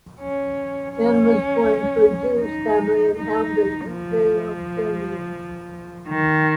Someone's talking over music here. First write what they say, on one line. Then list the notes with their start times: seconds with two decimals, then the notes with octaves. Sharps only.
Dehn was born to a Jewish family in Hamburg, Imperial Germany.
0.21 C#4
0.94 C#4
2.41 D#4
3.14 D#4
3.88 F3
6.09 D#3